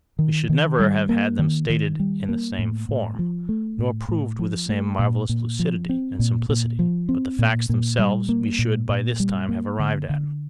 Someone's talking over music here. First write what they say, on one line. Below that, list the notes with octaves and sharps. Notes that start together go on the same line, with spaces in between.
We should never have had them stated in the same form, nor proved with the same marvellous lucidity and simplicity, but the facts themselves we should by this time have arrived at.
D#3
D#3
G3
A#3
D#3
D#3
G3
A#3
A2
A2
F3
A3
A2
A2
F3
A3
A#2
A#2
F3
C4
A#2
A#2
F3
C4
A#2
A#2
G3
A#3
A#2
A#2
G3
A#3
D3
D3